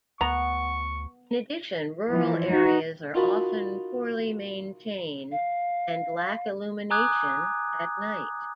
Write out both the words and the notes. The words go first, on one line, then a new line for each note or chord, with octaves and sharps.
In addition, rural areas are often poorly maintained and lack illumination at night.
D2 B3 A#5 C#6
E3 F3
D#4 F#4
D#4 F4 F#4 A#4 A5 B5
F5
G#5 A#5 D6 D#6 F#6 G#6